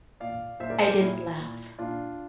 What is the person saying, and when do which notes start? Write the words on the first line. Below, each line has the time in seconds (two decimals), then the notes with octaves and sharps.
I didn’t laugh.
0.20 A#2 D5 F5
0.60 A#2 C5 E5
0.70 A#4 D5
0.80 A4 C5
0.89 G4 A#4
0.99 A#2 E4
1.39 A#2
1.78 A#2 D4 F4